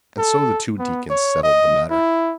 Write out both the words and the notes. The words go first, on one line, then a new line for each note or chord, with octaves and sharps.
And so the two deacons settled the matter.
A4
B3
C#5
D#5
E4